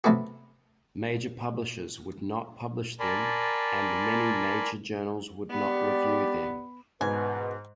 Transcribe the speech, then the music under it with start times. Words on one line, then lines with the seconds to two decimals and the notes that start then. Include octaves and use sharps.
Major publishers would not publish them and many major journals would not review them.
0.04 C3 F#3 A3 B3 F#4
3.00 A#4 D5 G#5 A5 B5 C6
5.50 B3 G4 D5
7.01 A1 E2 G#2 B2 B4 G#5